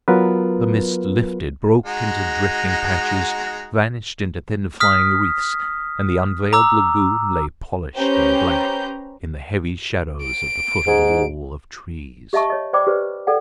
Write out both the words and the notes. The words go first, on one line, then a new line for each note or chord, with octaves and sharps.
The mist lifted, broke into drifting patches, vanished into thin flying wreaths; and the unveiled lagoon lay, polished and black, in the heavy shadows at the foot of the wall of trees.
F#3 B3 F4 A#4 B4
G#3 D#4 F#4
D#6 F6 B6
A#5 D6 E6
C#4 G4 B4 C5 A#5 G6
D7
G#2
G4 D#5 E5 A5 C#6
C#5 D#5
C5 D5 G5 B5 D6
G4 B4 C5 D5
A4 D5 F#5 G5